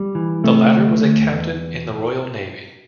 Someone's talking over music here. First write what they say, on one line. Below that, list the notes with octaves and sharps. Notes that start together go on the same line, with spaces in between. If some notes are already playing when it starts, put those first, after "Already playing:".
The latter was a Captain in the Royal Navy.
Already playing: G3
E3
C3 A3
D2
D2
E2